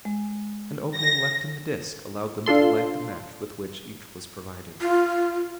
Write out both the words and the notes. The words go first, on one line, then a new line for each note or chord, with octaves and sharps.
An opening left in the disc allowed them to light the match with which each was provided.
G#3
A#6
D4 F4 A4 C6
F4